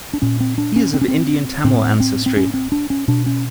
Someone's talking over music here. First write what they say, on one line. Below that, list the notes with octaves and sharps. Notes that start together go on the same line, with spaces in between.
He is of Indian Tamil ancestry.
D4
A#2 C#4
C4
D4
C#4
C4
C#4
C4
A2 C4
C4
C4
C#4
C4
D4
C#4
B2 D4
C#4